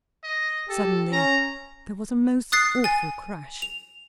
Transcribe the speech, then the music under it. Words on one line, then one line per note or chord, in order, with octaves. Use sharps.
Suddenly there was a most awful crash.
D#5
G4 A4
C#4 A#5
D#6 F#6 A6 C7
G#5 A6
F7